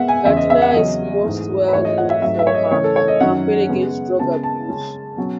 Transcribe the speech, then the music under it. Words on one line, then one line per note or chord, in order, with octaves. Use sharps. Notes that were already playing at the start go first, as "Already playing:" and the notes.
Gardiner is most well known for her campaign against drug abuse.
Already playing: B2 G#3 B3 E5 F#5
G#5
E2 C#3 G#3 C#4 E5
D#5
E5
F#5
E2 C#3 F#3 C#4 D#5
G#2 E3 A3
B4
G#2 E3 A3 C#5
D#5
F#5
E5
G#2 F#3 A3 E5
E5
C#5
D#5
C#3 E3 A3 C#4 C#5
A4
C#5
D#5
F#2 D#3 F#3 C#4 F#5
C#3 G#3 B3
C#3 G#3 B3 A5
A5
C#3 G#3 C#4
B2 F#3 C#4